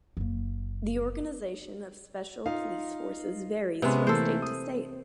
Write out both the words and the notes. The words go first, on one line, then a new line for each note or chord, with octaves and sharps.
The organization of special police forces varies from state to state.
F#1 A#3
D#4 F4 F5
C3 G#3 B3 C#4
E3 A3 A#3 A4 C5
D#6